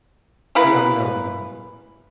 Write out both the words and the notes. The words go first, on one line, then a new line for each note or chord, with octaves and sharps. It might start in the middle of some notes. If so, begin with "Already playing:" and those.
The Unknown.
E3 A#3 E4 B4